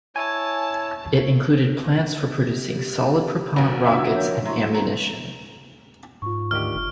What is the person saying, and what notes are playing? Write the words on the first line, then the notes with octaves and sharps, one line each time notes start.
It included plants for producing solid-propellant rockets and ammunition.
E4 C#5 G#5 A5
G4
A#1 D#3 F#3 A#6
G3 D4 E4 F4 E5 F5
F3 A#4 C#5 G6
F#3 E4 E5 C6 C#6
G#3 B3 C4 E4 A#5
G#2 F4 C#6
D2 D#3 G4 F6
F#1